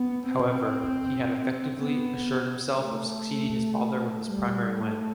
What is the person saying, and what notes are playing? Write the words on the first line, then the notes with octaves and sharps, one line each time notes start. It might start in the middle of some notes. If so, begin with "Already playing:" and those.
However, he had effectively assured himself of succeeding his father with his primary win.
Already playing: B3
C4
B3
A3
G3
A3